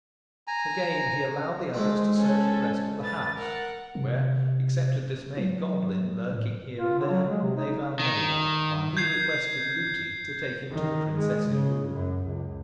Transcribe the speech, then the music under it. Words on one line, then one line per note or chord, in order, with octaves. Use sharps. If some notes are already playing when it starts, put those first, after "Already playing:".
Again he allowed the others to search the rest of the house--where, except a dismayed goblin lurking here and there, they found no one--while he requested Lootie to take him to the princess's room.
G#5 A#5
G#3 A3 C4
C#4 A4
B4 A6
A#4 F#5
C3
F#3
A2
F4
D3
F#3
G#3
C3
D#4
D#3
G6 G#6 C7
D#3
G#3
C#3
F#2
C#2